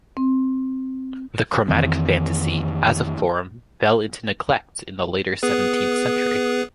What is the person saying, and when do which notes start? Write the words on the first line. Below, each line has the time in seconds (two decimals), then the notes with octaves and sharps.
The chromatic fantasy, as a form, fell into neglect in the later seventeenth century.
0.17 C4
1.68 F2 D#3 E3 C4
5.43 B3 G#4 B4